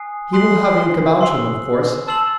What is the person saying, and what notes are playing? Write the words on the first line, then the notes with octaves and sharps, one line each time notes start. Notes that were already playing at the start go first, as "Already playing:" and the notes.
He will have ink about him, of course.
Already playing: G#5 D#6 F#6 C7
G#5 C6 D#6 F#6 C7 F#7
C6 E6 C7 F#7
A5 C6 E6 C7 F#7